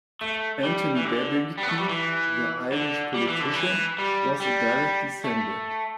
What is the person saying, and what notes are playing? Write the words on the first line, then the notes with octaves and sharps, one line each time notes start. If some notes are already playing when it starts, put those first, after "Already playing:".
Anthony Babington, the Irish politician was a direct descendant.
A3
G3
E3
D3
G3
B3
A3
G3
E3
D3
G3
E3
D3
E3
G3
G3
A3